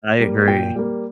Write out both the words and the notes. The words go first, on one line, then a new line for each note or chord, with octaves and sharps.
I agree.
G3 A#3
A#2 G5
G3 A#3